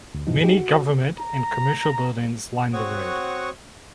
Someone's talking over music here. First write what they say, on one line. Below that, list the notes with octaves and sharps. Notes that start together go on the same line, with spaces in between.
Many government and commercial buildings line the road.
D2
E2 G#2 B2 E3 F3 D#4
D#4 G4 G#4
F#4
A#5
C4 F#4 C#5 F#5 C#6 D#6